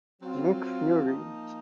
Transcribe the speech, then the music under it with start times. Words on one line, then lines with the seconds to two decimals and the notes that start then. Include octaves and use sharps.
Nick Fury.
0.21 F#3 C4 F4
1.05 F3 A#3 D#4